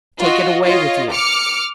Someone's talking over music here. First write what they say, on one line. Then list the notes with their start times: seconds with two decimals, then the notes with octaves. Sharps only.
"Take it away with you."
0.20 F4 F#4 D#5
0.65 F4 C#5 D#5
1.12 D6 F6 C#7